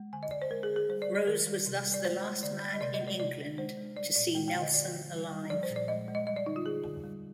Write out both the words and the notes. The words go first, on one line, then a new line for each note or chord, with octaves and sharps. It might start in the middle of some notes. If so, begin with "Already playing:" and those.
Rose was thus the last man in England to see Nelson alive.
Already playing: G#3
D3 G#5
D#5
D3 D5
C5
G#3 A#4
G#4
D3
G#4
G3 C5
D5
G3
D5
D#3 A#4
G3
C3
G3
D5
G#3 C5
G#3
D3 D5
G#3
D#5
C3 D5
D#5
G#3
D5
C3 D5
G#3
G#3 C5
G#3
G3 D5
A#2 D5
G#3 G5
G5
D3
D#5
D3 D5
D3
G3
G3
F3 D5
C5
A#2
D5
G#3 D#5
G#3
D#5
G3 D#5
D5
D3 D#4
F4
D3 G#4
D3
G3